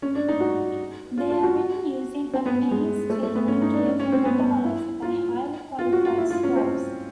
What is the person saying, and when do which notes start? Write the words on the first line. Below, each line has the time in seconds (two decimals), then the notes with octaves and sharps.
They are written using a painstakingly careful methodology by highly qualified scribes.
0.02 C#4
0.15 D4
0.29 D#4
0.40 F#4
1.18 F4
1.31 F4
1.43 F#4
2.34 C4
2.46 B3
2.71 G#3
3.10 A3
3.23 A3
3.35 B3
3.48 C#4
3.62 D#4
3.74 D4
3.87 C#4
4.00 C#4
4.12 C4
4.25 B3
4.38 B3
4.64 E4
5.02 F4
5.79 F4
5.93 F#4
6.05 F4
6.18 E4
6.31 F4
6.43 C#4
6.56 C4